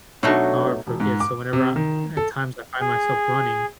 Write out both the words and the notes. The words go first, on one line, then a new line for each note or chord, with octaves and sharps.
I'll ever forget. So whenever I at times I find myself running,
B2 F#3 A3 D4 D#4 F#4
E1
G#2
D6
C3
D#3
A4
G#4